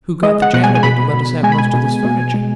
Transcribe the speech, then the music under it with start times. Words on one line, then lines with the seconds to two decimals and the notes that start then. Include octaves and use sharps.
Who got the janitor to let us have most of this furniture?
0.23 G#3 D#5
0.42 F#5
0.53 B2 F#5
0.64 G#5
0.75 G#5
0.83 B2 B5
1.14 B2
1.43 G#3 G#5
1.52 B5
1.58 G#5
1.74 B2
2.04 B2
2.34 G#3